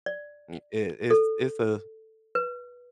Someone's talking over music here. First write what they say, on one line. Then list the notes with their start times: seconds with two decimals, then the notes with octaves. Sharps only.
m it it's it's a
0.06 D5
1.11 A4
2.35 B4